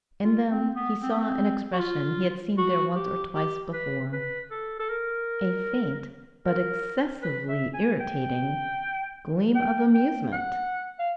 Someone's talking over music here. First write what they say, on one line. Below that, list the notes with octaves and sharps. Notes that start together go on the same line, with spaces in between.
In them he saw an expression he had seen there once or twice before, a faint but excessively irritating gleam of amusement.
F4
C4
B3
C4
B3
C4
F#4
F4
F#4
G4
G4
B4
B4
A4
A4
A#4
A#4
B4
E5
G#5
G5
G5
G5
F#5
F5